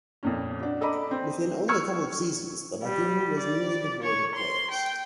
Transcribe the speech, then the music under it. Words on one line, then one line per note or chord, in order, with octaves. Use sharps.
Within only a couple of seasons, the lagoon was nearly devoid of whales.
F2 A#2 C#4
D4 F#4
A4 D5 D#5 A#5 B5 D6
C4
C#6 E6 F6 G#6 C#7
G3
D5
C#5
C6
G5